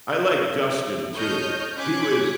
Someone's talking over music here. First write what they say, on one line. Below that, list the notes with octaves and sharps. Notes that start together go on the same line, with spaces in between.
I like Dustin too. He was
A4 C#5 D#5 D#6 F6 G6
C#4 D6 F#6 G#6 B6